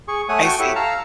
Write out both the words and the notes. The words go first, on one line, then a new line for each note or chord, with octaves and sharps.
I see.
G#4 C#6
A3 C#5 F#5 G#5 D#6
F#4 G5 A5 C#6
E4 G4 A4 C#5 F#5 A5
F5 A5 A#5 E6